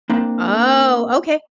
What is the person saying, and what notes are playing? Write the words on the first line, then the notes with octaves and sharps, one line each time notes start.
Oh, okay.
A#3 C4 D4